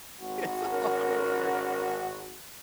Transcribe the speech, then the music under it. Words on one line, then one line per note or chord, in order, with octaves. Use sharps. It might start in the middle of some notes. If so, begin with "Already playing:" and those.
It's a lotta work.
G#1 F#4
C#4 A#4